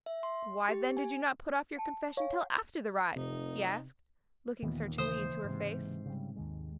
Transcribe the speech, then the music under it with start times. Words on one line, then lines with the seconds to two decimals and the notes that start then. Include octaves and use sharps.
"Why, then, did you not put off your confession until after the ride?" he asked, looking searchingly into her face.
0.06 E5
0.23 C6
0.69 G4
0.97 G#5
1.77 G5 A5
2.17 C#5 F5 G#5
2.34 F#5
3.16 F1 C3 D#4
4.63 D#2 A#2 D#3 E3 B3
4.98 C#3 E3 A#3 C5 D#6
5.44 G#2 C3
6.06 C#3 G3
6.36 D#2 D#3 G#3